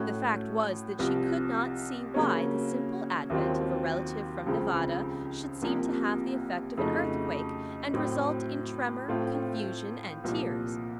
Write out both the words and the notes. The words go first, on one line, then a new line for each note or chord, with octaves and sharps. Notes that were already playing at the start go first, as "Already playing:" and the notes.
The fact was, that she could not see why the simple advent of a relative from Nevada should seem to have the effect of an earthquake, and result in tremor, confusion, and tears.
Already playing: A2 A3 C#4 F#4
C2 C3 F3
C#3 F#3 A#3 C#4
D#2 D#3 F#3 C4 F4
C#2 C#3 F3 C4
C2 C3 F3 A#3
F2 C#3 A3 D#4 F#4
A2 F#3 C4
A2 A3 C4 F4
C2 A#2 F3